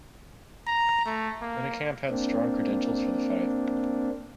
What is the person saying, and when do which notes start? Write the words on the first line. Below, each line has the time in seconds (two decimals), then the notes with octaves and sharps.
Pennekamp had strong credentials for the fight.
0.67 A#5
1.06 A3
1.41 A#3
2.10 A#3 C4 D4